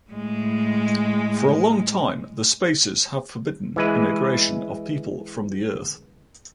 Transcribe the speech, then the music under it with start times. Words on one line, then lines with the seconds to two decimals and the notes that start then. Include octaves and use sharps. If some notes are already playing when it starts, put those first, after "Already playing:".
For a long time, the Spacers have forbidden immigration of people from the Earth.
0.11 A2 G#3
3.76 E3 G#3 B4